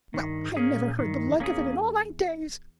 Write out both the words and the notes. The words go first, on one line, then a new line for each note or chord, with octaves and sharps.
Well, I never heard the like of it in all my days!
G2 D#3
G#2
A#3 C#4 G#4
A#2
G2 D#3
E2
A#3 C#4 G#4
E2